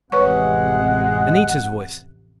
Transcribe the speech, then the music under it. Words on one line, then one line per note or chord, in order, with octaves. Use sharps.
Anita's voice!
A1 F2 C3 G#3 B4 C#5 F#5 C#6